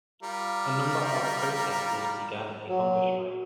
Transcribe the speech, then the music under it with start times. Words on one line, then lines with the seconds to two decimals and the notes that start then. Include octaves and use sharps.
A number of protesters began a hunger strike.
0.23 G3 F4 A#4
2.67 F#3